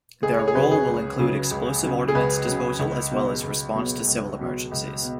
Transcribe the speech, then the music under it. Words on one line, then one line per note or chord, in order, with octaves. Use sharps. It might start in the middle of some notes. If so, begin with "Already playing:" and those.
Their role will include explosive ordnance disposal as well as response to civil emergencies.
C#2 G#4
C#5
G#4
C#3 F#3 B4
G#4
C#2
C#3 F#3
C#2
C#3 F#3
G#4
C#2 B4
C#3 F#3
C#2
B2 F#3
C#2
B2 F#3
C#2
B2 F#3
C#2
B2